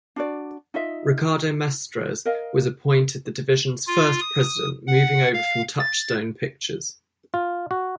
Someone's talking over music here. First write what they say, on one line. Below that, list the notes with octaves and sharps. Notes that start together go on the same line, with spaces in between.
Ricardo Mestres was appointed the division's first president moving over from Touchstone Pictures.
D4 F#4 D5
D#4 F4 D#5 E5
A#4 D#5 F5
F4
D#6
F#5
F5
A6
F4
F#4